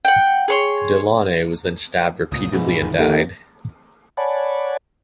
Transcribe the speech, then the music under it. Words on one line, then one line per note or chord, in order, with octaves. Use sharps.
De Launay was then stabbed repeatedly and died.
F#5 G5
G#4 C#5 C6
C#2 A#2 D#6
G#2 B2 E3 F3
F1 D#3 F3
D#2 A3
C#5 D5 F#5 G#5 A5 B5